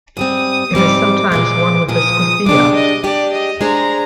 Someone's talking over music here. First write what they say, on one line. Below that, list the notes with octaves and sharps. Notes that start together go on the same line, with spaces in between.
It is sometimes worn with a skufia.
G#2 G3 C4 D#6
G#2 G3 C4 D6
A#2 F3 G#3 D6
A#2 F3 G#3 D#6
G#3 D4 G4 D6
D#5
G#3 D4 G4 D5
D#5
G#3 D4 G#4 C5 A#5